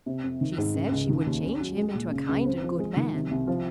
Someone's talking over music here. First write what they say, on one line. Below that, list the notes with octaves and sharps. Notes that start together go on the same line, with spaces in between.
"She said she would change him into a kind and good man."
C3
F2
D#3
G#2
C#3
C#2
D#3
D#2
C#4
F#3
G#3
A#2
C#3
C#2
C4
F3
G#3
D#3
C3
C2
F3